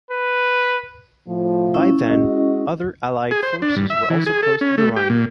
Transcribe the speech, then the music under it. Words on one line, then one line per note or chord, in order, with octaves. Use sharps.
By then, other Allied forces were also close to the Rhine.
B4
A2 F3
C#4 E4
G#3 F#4 D#5
G#4
C5
D4
G2
E5
E3
G#4
A4
C#4
A3
G4
A#2